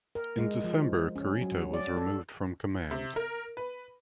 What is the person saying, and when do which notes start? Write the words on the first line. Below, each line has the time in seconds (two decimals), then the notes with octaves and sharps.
In December, Kurita was removed from command.
0.15 A#4
0.38 G#3
0.64 F3
1.16 C#4
1.42 F#3
1.74 D5
1.97 A4
2.91 C3
3.16 A#4
3.57 B4